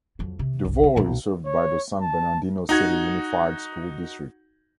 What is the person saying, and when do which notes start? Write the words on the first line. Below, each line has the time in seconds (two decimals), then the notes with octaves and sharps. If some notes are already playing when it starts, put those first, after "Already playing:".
Devore is served by the San Bernardino City Unified School District.
0.19 F2 F#3
0.39 C3
0.65 G1 C2
0.83 D3
0.96 B1 A#2
1.46 C#5
2.01 A5
2.69 D#4 F#4 G#6